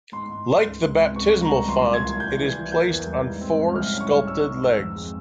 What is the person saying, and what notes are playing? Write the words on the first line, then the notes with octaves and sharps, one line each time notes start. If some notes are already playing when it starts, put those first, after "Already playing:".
Like the baptismal font, it is placed on four sculpted legs.
G#2 C6
G#2
G#2
C#2
C#2
C3
C#2 C#6
G3
A#5
C#2
C2 C6
A#2
G#6
C2
G3 G6
E3
G#6
E3
A#3 G6
E2
G3
G#2
C4
G#2
C2 F6
C#4
C#6
G3
G#2 E6
G#2
C4
F2 E6
G#3